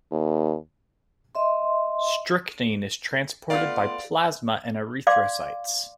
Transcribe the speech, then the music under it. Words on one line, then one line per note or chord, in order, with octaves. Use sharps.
Strychnine is transported by plasma and erythrocytes.
D#2
D#5 E5 C6
A3 B3 F4 D5 F5
D5 F5 C6 D6